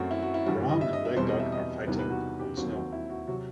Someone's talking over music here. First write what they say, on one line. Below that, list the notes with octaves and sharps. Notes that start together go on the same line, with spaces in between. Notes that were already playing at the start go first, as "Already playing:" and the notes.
A brown and black dog are fighting on snow.
Already playing: F#2 F#3 A3 C4 F#4
E4
F#4
E4
G2 E3 G3 F#4
D#5
E5
D#5
E5
E2 B2 G3 C4 C5
D#5
E5
D#5
E2 C3 D#3 G3 B3 B4
B4
F#4
G4
D#2 D#3 F#3 C4 F#4
F#4
E4
F#4
C3 F#3 F#4